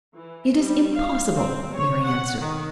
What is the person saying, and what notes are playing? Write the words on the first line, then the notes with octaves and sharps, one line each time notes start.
"It is impossible," Mary answered.
E3
G3
F5
C4
C#5
F#5
D#3